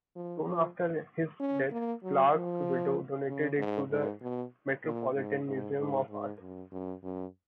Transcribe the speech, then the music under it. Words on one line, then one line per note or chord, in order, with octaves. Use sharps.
Soon after his death, Clark's widow donated it to the Metropolitan Museum of Art.
F3
F3
C#4
A#3
F#3
F3
C#3
G#2
G#2
B2
A#2
G#2
G#2
G#2
G#2
F#2
F#2
F#2